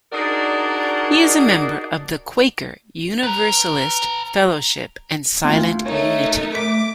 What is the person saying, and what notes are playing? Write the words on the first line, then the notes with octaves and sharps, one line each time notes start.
He is a member of The Quaker Universalist Fellowship and Silent Unity.
D4 D#4 F#4 G#4 A#4 D5
B4 A#5
D2 F4
A3 D#4 A#4 C#5
A3 D6 B6